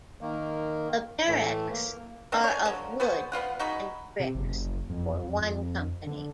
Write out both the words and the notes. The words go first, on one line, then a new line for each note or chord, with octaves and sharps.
The barracks are of wood and bricks, for one company.
D#3 A#3
A2 E3 A3
A#3
C4 D4 D#5 F#5
C#5 G#5
D3 F3 F#3
B3 F#4 G#4 C5
B3 C4 F4 F#5
D#4 F#4 G#4 B5
C3
F#1
F2
F2
F2
D3